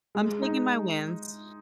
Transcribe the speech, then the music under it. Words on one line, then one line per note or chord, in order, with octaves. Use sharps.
I'm taking my wins.
G#3
D#4